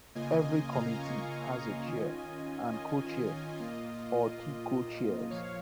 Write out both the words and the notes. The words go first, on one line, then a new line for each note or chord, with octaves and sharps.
Every committee has a Chair and Co-Chair or two Co-Chairs.
C#3 A#3 F4 D#5 G#5
D#5 G#5
F5 A#5
G#5 C#6
D#3 C#4 F4 D#5 G#5
D#5
A#2 A#3 F4
A#2 F3 C#5 F5